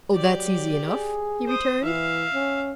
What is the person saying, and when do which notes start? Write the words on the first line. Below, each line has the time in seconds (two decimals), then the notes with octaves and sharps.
"Oh! that's easy enough," he returned.
0.14 F#3 G4 D5
0.87 G#4
1.46 C5 D#6
1.84 E3 E5 F5
2.33 C#4